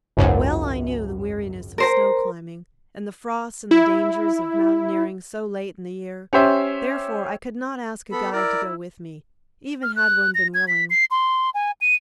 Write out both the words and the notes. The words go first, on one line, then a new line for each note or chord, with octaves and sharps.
Well I knew the weariness of snow-climbing, and the frosts, and the dangers of mountaineering so late in the year; therefore I could not ask a guide to go with me, even had one been willing.
G#1 C#2 F#2
A#4 C5 A#5
E4
C#4 G4 C5 E5
B3 A4 B5
E4 A#4 D5
F6
F#6
A#6
G#6
B6
C7
C6
G#5
D#7